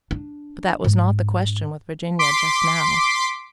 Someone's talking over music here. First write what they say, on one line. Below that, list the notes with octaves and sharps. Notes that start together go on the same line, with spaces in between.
But that was not the question with Virginia just now.
D4
G#2
C6 D6 B6 C7 D7